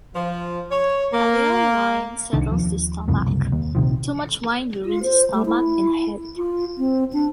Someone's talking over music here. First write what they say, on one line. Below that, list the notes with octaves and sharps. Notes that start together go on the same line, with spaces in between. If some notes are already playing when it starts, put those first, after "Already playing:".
A little wine settles the stomach, too much wine ruins stomach and head.
F3
C#5
A#3
C2 D#3 D4
D#2 F3
F#1 C2 F2 A2
F#1 C2
D#2
A#1 C3 D#3 F3
F4
C5
A3
E4
F4
C4
D4